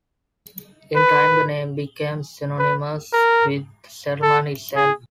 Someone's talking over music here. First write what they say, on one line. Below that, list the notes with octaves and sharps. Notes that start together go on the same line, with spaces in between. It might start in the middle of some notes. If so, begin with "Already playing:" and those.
In time the name became synonymous with the settlement itself.
B4
B4
A#4
A4
G#4